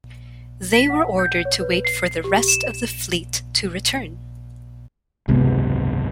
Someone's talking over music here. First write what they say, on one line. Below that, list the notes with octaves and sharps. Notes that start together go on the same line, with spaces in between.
They were ordered to wait for the rest of the fleet to return.
B6
F#5
G6
C#5
B4
C7
G4
E7
G#1 C#2 F#2 C3 G#3 B3